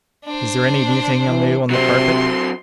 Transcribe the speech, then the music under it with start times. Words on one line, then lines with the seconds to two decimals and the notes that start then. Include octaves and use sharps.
"Is there any thing new on the carpet?"
0.25 D4 C5
1.28 E3
1.70 C3 F#3 C4 C6